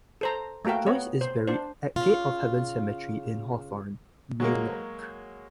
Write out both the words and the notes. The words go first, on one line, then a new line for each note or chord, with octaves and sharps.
Joyce is buried at Gate of Heaven Cemetery in Hawthorne, New York.
A4 C5 A#5
A3 A#3 F#4 A#4 G5
B3 C#5
C5
D4 C5
C#3 F4
F#3 G#3 A#3